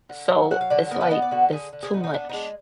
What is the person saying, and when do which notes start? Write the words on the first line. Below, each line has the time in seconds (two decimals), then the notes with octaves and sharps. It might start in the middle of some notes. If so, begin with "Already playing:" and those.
So it's, like, it's too much.
0.09 D3
0.30 F#3
0.51 F#3 F#5
0.61 F5
0.70 D3 D5
0.91 B3 A#4
1.01 B4
1.11 B3 D#5
1.22 D5
1.31 D3 F#4
1.52 D3 G#4
1.73 D3
1.83 G#4
1.93 B3 D#4
2.04 D#4
2.13 B3 D4
2.29 D#4
2.33 G#3 D4